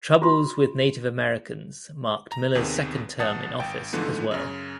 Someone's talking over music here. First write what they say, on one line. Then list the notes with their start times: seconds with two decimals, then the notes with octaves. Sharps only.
Troubles with Native Americans marked Miller's second term in office as well.
0.22 F4 F#4 B5 C6
2.32 A#5
2.55 D#2 C3 D#3 B3 G#4
3.19 A#1 B3 F#5 A5 D#6 A6
3.60 G#1 G5
3.93 G#2 D3 E3 F3 A3 B3
4.31 F#2 C#3